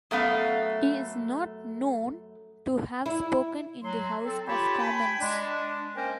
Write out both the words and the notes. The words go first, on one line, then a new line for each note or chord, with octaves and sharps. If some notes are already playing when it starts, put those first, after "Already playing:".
He is not known to have spoken in the House of Commons.
F#2 A3 B3 F5
E4
F#3 C6
C4 A4
F4 G4 C#5 G5 A5 B5
G5 G#5 B5
G#3 D4
A#3 C#4 A#4 C5 D#5 G5